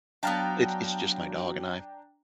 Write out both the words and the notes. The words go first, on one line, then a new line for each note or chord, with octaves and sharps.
it's it's just my dog and I;
F#3 B3 D4 F5 G5 A5 A#5